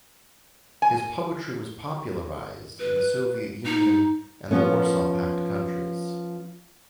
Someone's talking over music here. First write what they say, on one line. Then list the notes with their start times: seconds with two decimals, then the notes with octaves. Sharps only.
His poetry was popularized in the Soviet Union and the Warsaw Pact countries.
0.82 G#5
2.79 B4
3.65 D#4
4.51 F3 B3 C#4